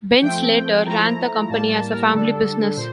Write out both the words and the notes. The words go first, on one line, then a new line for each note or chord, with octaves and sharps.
Bentz later ran the company as a family business.
F3 A3 C4 G5
F3 A3 E4 A#5
A2 G3 A#3 A5
A5
A#4
D3 G3 D4 A4
A#2 C5